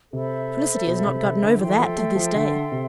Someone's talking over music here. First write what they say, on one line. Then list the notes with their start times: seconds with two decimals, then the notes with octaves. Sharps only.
Felicity has not gotten over that to this day.
0.12 C3 A4 C5 E5 B5
0.87 B2
1.06 C3
1.23 C3
1.42 D3
1.60 E3 A4 E5 G5 C6
1.79 F3
1.97 A3
2.15 F3
2.34 D3
2.72 C3